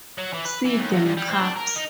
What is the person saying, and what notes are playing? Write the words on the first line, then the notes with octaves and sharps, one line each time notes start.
See them cups?
F#3
E3
B4
E3
D#2
E2
G2
G3
C4
D4
A#4
D#4